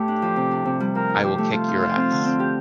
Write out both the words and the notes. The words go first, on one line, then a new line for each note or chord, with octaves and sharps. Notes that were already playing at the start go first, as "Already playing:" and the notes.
I will kick your ass.
Already playing: A2 A3 G4
D4
F3
C3
D4
C3
G3
F3 A#4
D#4
F3 G4
A3
F3 F4
D#4
F3
C4
D3
C4
G4